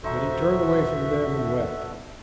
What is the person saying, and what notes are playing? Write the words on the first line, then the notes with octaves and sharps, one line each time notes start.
But he turned away from them and wept.
D#1 D#4 F#4 A4 C5 E5